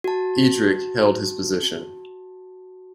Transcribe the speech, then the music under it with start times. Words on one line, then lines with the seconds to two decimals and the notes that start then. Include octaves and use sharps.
Eadric held his position.
0.04 F#4 A5